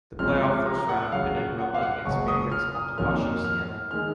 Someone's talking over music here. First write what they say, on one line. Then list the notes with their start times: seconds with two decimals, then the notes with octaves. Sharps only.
The playoff first round pitted Roma against favorites Montepaschi Siena.
0.19 F#2 F3 G#3 C4 F6
0.66 A#5
0.89 F#5
1.12 F#2 C#3 F#3 F5
1.36 F#5
1.58 F#5
1.74 F5
1.82 F#5
2.05 F#1 F#2 C#3 G#3 C#6
2.28 D#6
2.52 F6
2.75 D#6
2.98 F2 D#3 F#3 A#3 F6
3.44 F6
3.91 D#3 G#3 F6